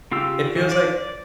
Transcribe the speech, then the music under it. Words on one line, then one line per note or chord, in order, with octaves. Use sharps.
It feels like
C#3 F4 G4 E6
E3
D5